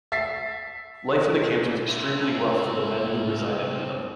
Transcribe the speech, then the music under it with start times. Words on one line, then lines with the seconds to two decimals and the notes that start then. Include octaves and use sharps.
Life in the camps was extremely rough for the men who resided in them.
0.12 E5 A6 B6 C7
1.88 C4 E4